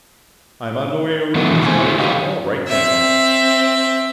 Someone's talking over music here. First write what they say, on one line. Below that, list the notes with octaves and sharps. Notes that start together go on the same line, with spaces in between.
"I'm on my way over to the examination hall right now."
D#3 E3 F#3 A3 B3 D#4
B2 E3 A3
E2 A2 C3 C5 G#5
E4 F#4 G4 A4 C5 C#5
G4 B4 C#5 D#5 F5
C4 E5